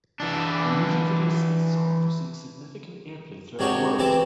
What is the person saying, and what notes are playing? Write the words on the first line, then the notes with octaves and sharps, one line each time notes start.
The music videos to these songs received significant airplay throughout the world.
E3 D4
G#2 C3 D4 F#4 C#5 G5
C3 E3 C4 A5 D6